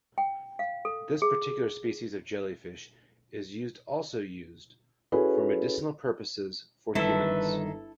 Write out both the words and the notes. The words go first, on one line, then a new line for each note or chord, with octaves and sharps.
This particular species of jellyfish is used also used for medicinal purposes for humans.
G5
F5
A4
G#4
C#4 E4 F#4 G#4 A4 B4
G1 D#3 E4 A4 B4 E5